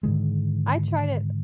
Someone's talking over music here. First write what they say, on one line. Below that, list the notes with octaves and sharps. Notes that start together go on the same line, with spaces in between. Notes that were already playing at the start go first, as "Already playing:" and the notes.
I tried it
G#2 D3 D#3 G#3